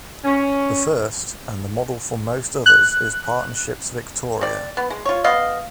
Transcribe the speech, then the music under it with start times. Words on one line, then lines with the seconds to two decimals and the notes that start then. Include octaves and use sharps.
The first, and the model for most others, is Partnerships Victoria.
0.25 C#4
2.66 F#6
4.41 C4 D5
4.77 B3
4.90 G#3
5.05 F4 C#5
5.24 B3 D#5 F5